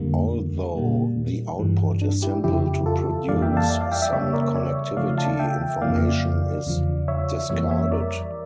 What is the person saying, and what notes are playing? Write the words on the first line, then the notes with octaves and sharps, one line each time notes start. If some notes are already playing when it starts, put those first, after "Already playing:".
Although the output is simple to produce, some connectivity information is discarded.
Already playing: F2 D3 G3 A#3
A#2 G3 A#3
G2 E3 G3
D4
E4 G4
F2 C#3 F3 E4 G4
F4 A4
F2 E3 G3 A#3 D5 F5
E5 G5
F5 A5
D5 F5
D5 F5
E5 G5
E5 G5
C#3 G3 A#3 C#5 E5
A#4 D5
C#5 E5
C#3 F3 A3 D5 F5
F5 A5
E5 G5
F2 C#3 F3 A#3 D5 F5
E2 C#3 F3
C#5 E5
F2 E3 G3 A#3 C#5 E5
C#5 E5
A#4 D5